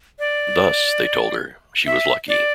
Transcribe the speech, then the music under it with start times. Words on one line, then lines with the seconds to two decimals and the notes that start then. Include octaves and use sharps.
Thus, they told her, she was lucky.
0.19 D5
1.86 E5
2.28 D5